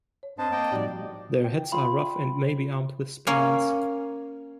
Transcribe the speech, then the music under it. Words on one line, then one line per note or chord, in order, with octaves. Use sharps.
Their heads are rough and may be armed with spines.
C#5
G2 C4 C5 D#5 A5
A#3 D#5 G5
A2 F3 G3 D#4 F#4 D5
G5
F4 B5
A#3 C#4 C#5 F5 G#5